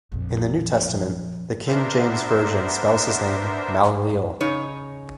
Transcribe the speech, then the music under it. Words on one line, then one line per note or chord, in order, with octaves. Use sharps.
In the New Testament, the King James Version spells his name Maleleel.
A#1 F2
B3 D4 A#4 C5 E5
C#3 D#4 C#5